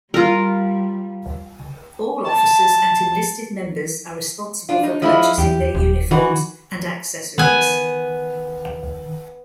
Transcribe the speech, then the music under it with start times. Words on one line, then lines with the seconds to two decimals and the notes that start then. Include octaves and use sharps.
All officers and enlisted members are responsible for purchasing their uniforms and accessories.
0.14 G3 F4 A#4
2.27 A5
4.69 D4 F4
4.83 D#4
5.02 F3 G#3 E4
5.38 E2 G4
5.75 D#1
6.11 D#3 E3 F#4
7.38 D#3 B3 G#5